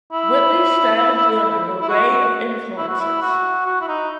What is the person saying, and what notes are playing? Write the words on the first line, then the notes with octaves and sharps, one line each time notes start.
Whitley's style drew on an array of influences.
E4
E4
F#4
E4
F#4
E4
F#4
F#4
E4
D#4